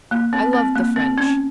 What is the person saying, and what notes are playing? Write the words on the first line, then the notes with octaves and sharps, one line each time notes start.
I loved the French.
A#3
C4
C4
A#3
C4
C#4